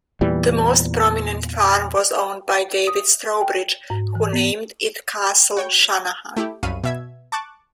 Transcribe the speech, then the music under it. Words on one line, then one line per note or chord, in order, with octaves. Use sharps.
The most prominent farm was owned by David Strawbridge, who named it Castle Shanahan.
E2 A#2 E3 G3
D#6
G5
G#2
E3
B3
F#4 C#5 G5
A3 E4 G4
C2 F#2 F5 B5 C#6 D#7
B2 E5 G#6
A5 C#6 D6 F#6 A6